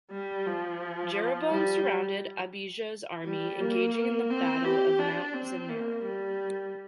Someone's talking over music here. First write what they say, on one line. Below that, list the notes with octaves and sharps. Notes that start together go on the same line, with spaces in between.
Jeroboam surrounded Abijah's army, engaging in the battle of Mount Zemaraim.
G3
F3
G3
G3
A#3
C4
G4
D4
C4
A#3
G3